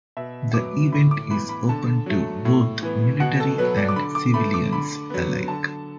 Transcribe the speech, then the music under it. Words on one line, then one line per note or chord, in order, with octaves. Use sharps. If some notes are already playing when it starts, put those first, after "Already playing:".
The event is open to both military and civilians alike.
B2 E5
F#3 B3 D6
A2 B5
D6
E3 B3 B5
B5
D3 A5
F#3 A3
A2
E3 B3
B2 F#5
A4
F#3 B3 B4
D5
D6
D3 B5
D6
A3 B5
D6
D3 B5
F#3 B3
D3 A5